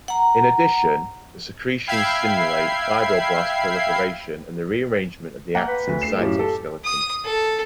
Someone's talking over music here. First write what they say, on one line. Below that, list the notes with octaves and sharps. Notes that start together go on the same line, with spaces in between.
In addition, the secretions stimulate fibroblast proliferation and rearrangement of the actin cytoskeleton.
F#5 A#5
E5 F5 G5 B5 G#6 C7
A#3 F#5 G5 A#5
B4
D2
A3 C7 E7
F#2 A2 F4 G4
A4
D#6
A4